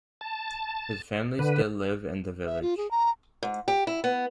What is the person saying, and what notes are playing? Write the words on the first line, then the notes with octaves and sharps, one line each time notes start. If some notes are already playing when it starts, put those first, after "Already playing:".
His family still live in the village.
A5
D3 B4
E5
F4
G#4
A#5
G#2
G4
E4
B3